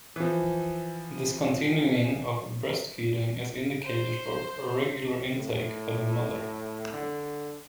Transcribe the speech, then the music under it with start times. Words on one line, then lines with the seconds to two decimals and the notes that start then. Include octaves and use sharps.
Discontinuing of breast-feeding is indicated for regular intake by the mother.
0.16 E3 F3
3.84 C5
5.36 A2
6.93 D3